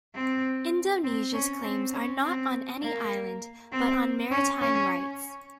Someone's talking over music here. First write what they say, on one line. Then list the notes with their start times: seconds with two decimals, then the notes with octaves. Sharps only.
Indonesia's claims are not on any island, but on maritime rights.
0.15 C4
1.04 C4
1.33 C#4
1.63 C4
1.93 C#4
2.23 C4
2.82 A#3
3.72 C4
4.31 C#4
4.61 C#4